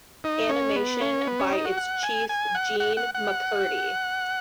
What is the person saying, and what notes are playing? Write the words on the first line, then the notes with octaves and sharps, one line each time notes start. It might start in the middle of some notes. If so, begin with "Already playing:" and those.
Animation by its chief Jean MacCurdy.
D#4
C#4
B3
C#4
B3
C#4
D#4
F#4
F#5
G#5
G#5
F#5
F#5
F#5
F#5